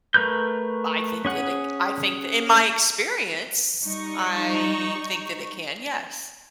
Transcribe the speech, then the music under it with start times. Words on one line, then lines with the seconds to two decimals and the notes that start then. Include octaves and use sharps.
I think that it I think that in my experience, I think that it can. Yes.
0.14 A3 A#4 B4 G6
1.25 C#4 G#4 F#5
3.84 G3 D#4 C#6